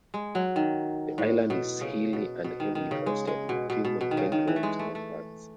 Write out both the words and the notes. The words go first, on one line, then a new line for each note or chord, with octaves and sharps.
The island is hilly and heavily forested, with few maintained roads or paths.
G#3
F#3
D#3
A2
B2
C#3
B2
B2
D#3
D#3
C#3
G#3
G#3
B2
B2
B2
B2
D#3
C#3
D#3
E3
A3
G#3
A3
A3